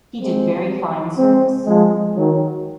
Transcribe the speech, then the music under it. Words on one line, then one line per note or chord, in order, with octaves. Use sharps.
He did very fine service.
G#3 C4
G#3 C4
F3 G#3
D#3 F#3